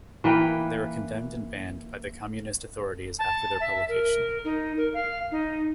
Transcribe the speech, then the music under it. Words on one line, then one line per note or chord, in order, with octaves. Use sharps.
They were condemned and banned by the Communist authorities after their publication.
E3 A#3 B4 G5
A5
E5
A#4
D#4
A#4
F5
D#4